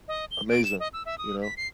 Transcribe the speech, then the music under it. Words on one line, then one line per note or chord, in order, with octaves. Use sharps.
amazing, you know?
D#5
G7
D7
E7
D#5
E6
E5
D#6
B6
C7